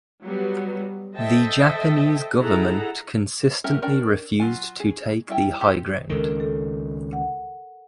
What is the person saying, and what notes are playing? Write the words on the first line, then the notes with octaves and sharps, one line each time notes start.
The Japanese government consistently refused to take the high ground.
F#3 G3 B3
A4 C5 D#5 E5 G5 A5
D#4 E4 G#4 A4 F#5 A#5
B3 C#4 G4 A#4 E5
C#4 D4 A#4 G5
F#3 F4 G#5
G#4
G3 E4 G5
F4 G4 A4
C#2 D#3 A4 A#4
A4
F#5